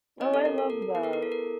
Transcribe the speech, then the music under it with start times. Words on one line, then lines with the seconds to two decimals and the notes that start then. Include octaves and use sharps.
Oh, I love that.
0.20 C4 E4 G4 C#5 D#5
0.34 A4
0.45 A#4
0.58 A4
0.70 A#4
0.82 A#4
0.94 B3 E4 G#4 A#4
1.03 A4 B4
1.13 A#4
1.23 A4
1.32 A#4